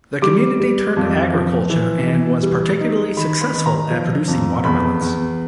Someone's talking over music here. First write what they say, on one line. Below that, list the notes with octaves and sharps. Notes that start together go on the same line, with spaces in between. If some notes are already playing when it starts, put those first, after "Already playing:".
The community turned to agriculture and was particularly successful at producing watermelons.
G3 D6
G3
F2
F3
E3
E3
G3
D#4
D#3 B5
B5
D#3
A#5
F3
F2
E2 B5
E2